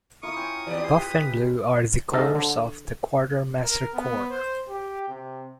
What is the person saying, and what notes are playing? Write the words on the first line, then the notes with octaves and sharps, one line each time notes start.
Buff and blue are the colors of the Quartermaster Corps.
E4 F4 A#4 C#6 D#6
C#4 G5
D#2 G4 D5
G4 C6
B4
D2 G#2 D#4 A4 A#4
D3
A#4
B3
C5
G4
C3